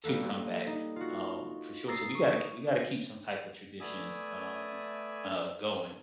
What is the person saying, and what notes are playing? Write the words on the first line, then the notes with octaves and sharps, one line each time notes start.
to come back, um, for sure. So, we gotta kee we gotta keep some type of traditions, um, uh, going,
G3 A#3 B3 A4
D#4
F4 F#4
A#5 D#6 E6 A6 A#6 C7
C#6 D#6
A3 B3 D5 E5 G#5 D#6